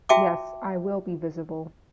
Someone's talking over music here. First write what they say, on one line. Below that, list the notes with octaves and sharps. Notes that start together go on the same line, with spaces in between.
Yes, I will be visible.
F#4 E5 G5 A5 D6